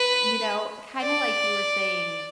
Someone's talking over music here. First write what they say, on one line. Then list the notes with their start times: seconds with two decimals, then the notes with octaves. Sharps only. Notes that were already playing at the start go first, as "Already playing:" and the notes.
you know, kinda like you were saying
Already playing: B4
1.03 D5